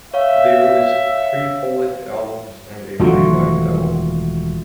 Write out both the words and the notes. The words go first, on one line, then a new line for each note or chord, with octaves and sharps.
They released three full-length albums and a free live demo.
C#5 E5 F5
E1 D3 D#3 F#3 A3 F4 F#4